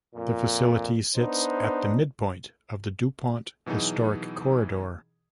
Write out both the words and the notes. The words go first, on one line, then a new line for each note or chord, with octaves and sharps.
The facility sits at the midpoint of the DuPont Historic Corridor.
F2 A#2
B3 D4 D#4 C5
B2 E3 F#3 D#4 G#4